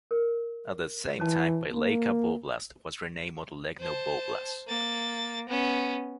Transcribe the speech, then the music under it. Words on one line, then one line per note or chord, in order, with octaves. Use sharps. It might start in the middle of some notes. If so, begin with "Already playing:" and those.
At that same time, Vileika Voblast was renamed Molodechno Voblast.
A#4
E3 C#5 A5
A#3
C5 A5
A#3 A6
B3 C#4